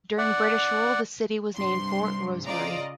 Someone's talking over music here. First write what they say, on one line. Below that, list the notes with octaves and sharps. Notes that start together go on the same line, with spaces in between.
During British rule the city was named "Fort Rosebery".
D5 F#5
G2 C3 C6
C#3 F4 D5 D#5 A#5